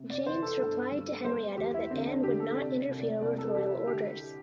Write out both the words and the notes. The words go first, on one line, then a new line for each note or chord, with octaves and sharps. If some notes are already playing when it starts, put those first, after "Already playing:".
James replied to Henrietta that Anne would not interfere with royal orders.
Already playing: C3
D5
E3 C5
A4
G2 A4
G3
G3 C5
E2 G4
E4
D3 C4
D4
D3 G4
A4
C3 D5
C2
D5
C2 D5
A4
E3 G4
E4
D3 G4